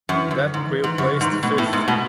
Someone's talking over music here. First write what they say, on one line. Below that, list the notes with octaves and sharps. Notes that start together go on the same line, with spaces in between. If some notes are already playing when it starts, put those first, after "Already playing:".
That crew placed fifth.
F#2 E3
F#2 D3
G#2 D3
E3
G#2
E3
F#2 C#3
D3
G#2 E3
G#3
B2 A3
A2 B3
A3
G#2
G#3
B2 A3